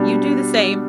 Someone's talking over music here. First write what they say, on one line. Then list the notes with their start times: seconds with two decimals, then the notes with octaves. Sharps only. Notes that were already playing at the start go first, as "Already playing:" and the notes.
You do the same.
Already playing: B2 G3 D4